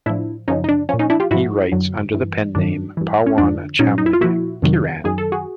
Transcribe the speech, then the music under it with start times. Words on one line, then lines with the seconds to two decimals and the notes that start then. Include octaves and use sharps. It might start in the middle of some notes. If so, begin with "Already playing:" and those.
He writes under the pen name Pawan Chamling "Kiran".
0.06 A2 F3 D4 E4
0.48 F#2 C#3 F3 C#4 D#4
0.64 D#4
0.69 D4
0.89 A#2 F3 C#4
0.99 C#4 D#4
1.10 D4 E4
1.20 F4 G4
1.31 G#2 F3 E4 F#4
1.72 F#2 D3 F#3
2.14 G2 E3
2.55 G2 D#3 F#3 D4
2.97 G2 E3
3.26 C#4
3.38 F2 D3 F3 D4
3.79 A#2 F#3 C#4 D#4
3.98 D#4
4.06 E4
4.13 F4
4.21 A#2 F3 E4 F#4
4.62 F2 C3 D#3 F#3
5.04 F#2 D#3 F#3 G#4
5.18 A4
5.32 F#4 G#4